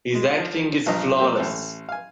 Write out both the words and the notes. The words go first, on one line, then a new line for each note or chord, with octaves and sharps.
His acting is flawless.
G#3
F3
B1 G2 F3 D#5 A#5
G3 A#3 C4 G4
A1 A4
F5 G#5